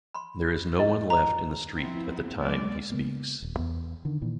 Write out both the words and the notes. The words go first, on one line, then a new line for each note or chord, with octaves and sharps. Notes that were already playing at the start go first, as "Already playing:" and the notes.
There is no-one left in the street at the time he speaks.
B5 C6
E4 D#5
A#5
F3 B3 C4 E4
D#2 B2 F#3 G#3 D5
C#3 G#3 A#3 B3
D#1
E2 B3
D3 D#3
A#2 D#3 E3